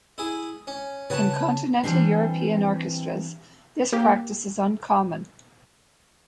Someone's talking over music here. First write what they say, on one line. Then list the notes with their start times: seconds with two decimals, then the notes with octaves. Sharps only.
In continental European orchestras, this practice is uncommon.
0.18 E4 G#4
0.67 C#4
1.10 C#3 B4 C#5 F#5 G#5 A5
1.83 E3 F3 G3 C4 D4
3.92 A#3 G4